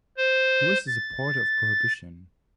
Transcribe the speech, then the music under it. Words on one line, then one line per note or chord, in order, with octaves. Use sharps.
He was a supporter of prohibition.
C5
A6